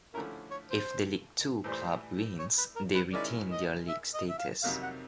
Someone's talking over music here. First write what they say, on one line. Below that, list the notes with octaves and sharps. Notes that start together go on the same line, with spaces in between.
If the League Two club wins they retain their league status.
D3 F3 A3 C#4 E4 A#4
C#5
C5
A2 E3 G3 C5
C#5
B4
A#4
B4
D#3 G#3 C#4 E4 D5
D#5
E5
D#5
E5
F5
F2 C3 D#3 F#3 F5
F#5